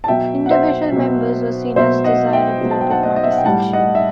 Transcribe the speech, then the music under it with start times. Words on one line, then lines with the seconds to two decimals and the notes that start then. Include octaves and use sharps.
Individual members were seen as 'desirable', but not essential.
0.04 A5
0.08 B2 F#3 E5 G5
0.46 F#5
0.51 C5 E5
0.92 B2 F#3
1.76 B2 F#3 C5 E5
2.04 D#5 F#5
2.32 E5 G5
2.61 B2 F#3
2.71 A5
2.81 G5
2.90 F#5 A5
3.03 D#5 F#5
3.16 D#5
3.23 E5
3.31 F#5
3.38 G5
3.45 A2 G3 F#5 A5
3.73 D#5 F#5
3.95 E5